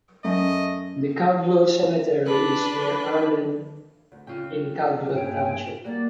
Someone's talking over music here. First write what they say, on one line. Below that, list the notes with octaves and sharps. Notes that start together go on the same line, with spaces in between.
The Caldwell cemetery is near Arlene in Caldwell Township.
F#2 A3 D#5
D4 B4
D2
C#3 F4 G5
G2 A#2 C#5 G5 G#5
G3 A#3 F#4 D5